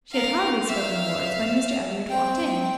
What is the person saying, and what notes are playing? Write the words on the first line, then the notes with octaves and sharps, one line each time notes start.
She had hardly spoken the words when Mr Elliot walked in.
A#4 F5
E5 F5
C4 G5